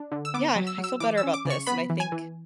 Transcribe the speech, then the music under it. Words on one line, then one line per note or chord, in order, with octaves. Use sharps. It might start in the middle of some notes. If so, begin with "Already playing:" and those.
yeah, I feel better about this, and I think
Already playing: D4
D3
E6
B3 D6
F#3
E6
F#3
E6
E3 D6
E6
C#4
D6
C#3
C#6
B3 B5
E3
G#5
E3